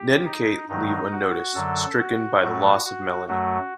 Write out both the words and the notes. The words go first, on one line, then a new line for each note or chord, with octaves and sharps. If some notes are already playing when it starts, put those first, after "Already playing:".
Ned and Kate leave unnoticed, stricken by the loss of Melanie.
Already playing: G4
D#4
G2 D#3 F#3 D#4
F#4
F#2 D3 F#3 A4
F#4
A2 F#3 A3
F#4
F#2 F#3 A3 F#4